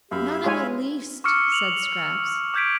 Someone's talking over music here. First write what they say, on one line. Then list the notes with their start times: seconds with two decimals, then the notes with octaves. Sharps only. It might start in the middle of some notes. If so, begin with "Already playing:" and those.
"Not in the least," said Scraps.
0.11 F#2 G4 E5 F5 B5
0.44 G#3 F4 C#5 G#5
1.24 C#6 D6 E6 F6 C#7
1.52 F7 F#7
2.54 D6 F6 G6 G#6 B6 D7